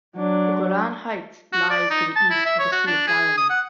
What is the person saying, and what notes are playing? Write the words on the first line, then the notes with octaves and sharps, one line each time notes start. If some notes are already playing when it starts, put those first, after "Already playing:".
The Golan Heights lies to the east of the Sea of Galilee.
F#3 D4
F#4
D5
D#4
A5
E4
E5
C#5
F#4
D4
G#4
D#6
F#5